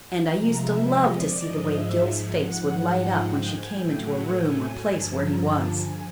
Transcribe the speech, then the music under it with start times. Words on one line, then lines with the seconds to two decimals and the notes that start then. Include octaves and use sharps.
And I used to love to see the way Gil's face would light up when she came into a room or place where he was.
0.24 C3 F3 G#3 A#5
0.53 E5
0.82 D#5
1.11 D5
1.40 G#2 F3 G#3 D#5
1.69 E5
2.26 F#5
2.55 G#2 F3 G#3
3.13 G5
3.42 G#5
3.70 A2 F#3 A3 G5
3.99 F#5
4.29 G#5
4.86 G2 D3 F3 A5
5.15 A#5
5.44 A5
5.73 G#5